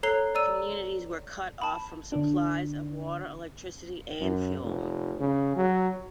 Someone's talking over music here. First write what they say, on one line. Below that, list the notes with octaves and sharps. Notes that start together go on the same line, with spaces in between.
Communities were cut off from supplies of water, electricity and fuel.
A4 C#5 A#5 F#6 C7 G7
D5 A#5 E6 D#7
A5 B5
D3 D4
F#2
F1
C#3
F#3